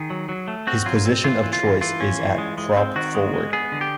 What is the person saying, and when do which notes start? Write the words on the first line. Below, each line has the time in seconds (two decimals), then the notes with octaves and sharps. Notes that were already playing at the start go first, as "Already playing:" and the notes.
His position of choice is at prop-forward.
Already playing: D#3 G#4
0.10 F#3
0.29 F#3
0.48 A3
0.67 C4 F#4
0.86 F#3 F4
1.05 C4
1.24 E3 F4
1.43 E3
1.53 F4
1.63 E3
1.81 E3 F4
2.00 C#4
2.20 E3
2.38 G#3
2.58 G#3
2.77 C4
2.96 D#3 F#4
3.15 G#3
3.34 G#3
3.53 B3 G#4
3.72 D3
3.81 G4